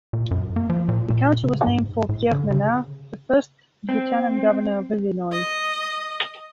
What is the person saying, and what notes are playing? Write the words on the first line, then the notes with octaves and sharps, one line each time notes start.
The County was named for Pierre Menard, the first lieutenant governor of Illinois.
A#2
F#2
A#3
F3
A#2
A#2
C#3
G#2
A2
D3
C#3
C4
D#5